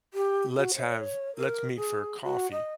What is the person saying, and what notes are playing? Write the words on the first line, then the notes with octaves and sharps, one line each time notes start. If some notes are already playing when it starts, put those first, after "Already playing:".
"Let's have let's meet for a coffee."
G4
F#4
C#5
A#4
G#4
F#4
D#5